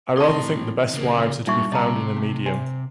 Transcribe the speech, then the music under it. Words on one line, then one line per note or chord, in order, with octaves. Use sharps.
I rather think the best wives are to be found in a medium.
A2 C3 E3 A4 A5 C6
C#3 A#3
A#2 G3 D4 D#4 E5 C#6
C3 D#5 A5 A#5
A3
C5 E5 G#5